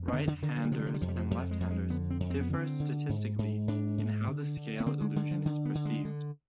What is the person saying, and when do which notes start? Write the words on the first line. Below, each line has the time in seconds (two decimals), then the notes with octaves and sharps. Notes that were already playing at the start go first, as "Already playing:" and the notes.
Right-handers and left-handers differ statistically in how the scale illusion is perceived.
Already playing: F2
0.08 C4
0.12 D3 B3
0.27 D3
0.42 D3 D#3
0.57 F3
0.65 G3
0.71 C3 F3
0.79 G3
0.87 F3
0.94 G3
1.01 F2 F3
1.09 G3
1.16 F3
1.31 F2 G3
1.51 G#3
1.60 F2
1.71 G#3
1.90 D3 B3
2.10 C4
2.20 F2
2.30 C4
2.41 B3
2.50 D3 C4
2.80 D3
3.09 G#2
3.39 G#2
3.68 G#2 D4
3.98 G#2
4.27 D3
4.57 D3
4.80 B3
4.86 D3 C4
5.01 G#3
5.16 D3 G#3
5.31 F3
5.46 D3 D#3
5.65 B3
5.75 D3
5.85 G#3
6.05 D3